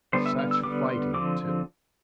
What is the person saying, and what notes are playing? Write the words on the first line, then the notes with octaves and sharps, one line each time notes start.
Such fighting, too!...
D3 G3 B3 C5
E5
F5
E6
D3 G3 B3 D6
C6
D3 F3 C4 D6